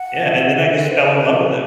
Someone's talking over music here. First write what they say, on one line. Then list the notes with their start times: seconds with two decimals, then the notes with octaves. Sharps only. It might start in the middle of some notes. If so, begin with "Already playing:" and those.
Yeah, and then I just fell in love with it.
Already playing: F#5
0.28 E5
0.41 F#5
0.55 E5
0.69 C5
0.91 B4
1.06 A4
1.13 B4
1.33 A4